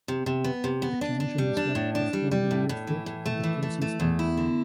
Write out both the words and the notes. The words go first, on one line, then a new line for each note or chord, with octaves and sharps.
The cane should be swept before the rear foot as the person steps.
C3
C3
B3
C3
B3
D4
D4
G3
D4
A2
D4
G3
G3
A2
A2
E3
A2
A3
E3
A3
A3
E2
E4
D3